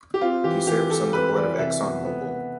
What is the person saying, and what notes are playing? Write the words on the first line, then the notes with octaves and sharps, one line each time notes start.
He serves on the board of ExxonMobil.
G4
C4 F4
E3 G4
E3 G4
E3 A4
C4 B4
E3 D5
C3 E5
B3
B3
B3